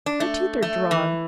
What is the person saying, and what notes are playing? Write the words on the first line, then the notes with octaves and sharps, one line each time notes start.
Her teeth are drawn.
D4
A3
A3
E3